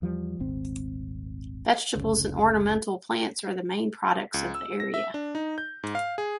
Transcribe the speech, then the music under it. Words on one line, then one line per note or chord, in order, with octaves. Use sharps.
Vegetables and ornamental plants are the main products of the area.
E2 F3 G3
D#1 G#1 C4
F#1 D2 C#3
C#2
E6
A#6
E5
D4
D#4
G6
G#2
F5
G#4